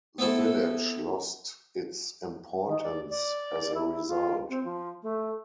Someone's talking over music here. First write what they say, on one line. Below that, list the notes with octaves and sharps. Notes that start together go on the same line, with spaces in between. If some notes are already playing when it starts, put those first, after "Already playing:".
The village lost its importance as a result.
B3 C4 E4 A4
D#3
D5
D5
E4
F4
C4
F3
A3